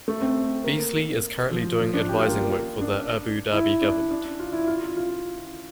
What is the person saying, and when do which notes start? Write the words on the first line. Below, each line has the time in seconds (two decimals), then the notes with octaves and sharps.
Beasley is currently doing advising work for the Abu Dhabi government.
0.08 A3
0.22 C4
0.64 A#3
1.51 F3
1.80 F3
1.94 D4
2.09 G4
2.19 F4
2.28 A#3
2.81 D4
3.52 E4
3.81 D4
4.11 D4
4.39 F4
4.52 E4
4.67 F4
4.96 F4